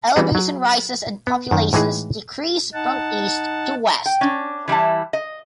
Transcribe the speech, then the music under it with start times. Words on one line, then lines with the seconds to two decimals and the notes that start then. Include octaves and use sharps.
Elevation rises and populations decrease from east to west.
0.16 E3 G3 B3 F#4 G#4
0.35 F#3
1.27 B3
1.51 F#2 D#3
1.73 A2 E3 G#3 D#4 G#4
2.73 D#4 F#5 A5
4.06 G5
4.21 C#4 D4
4.68 E3 G3 E4 A5
5.13 D#5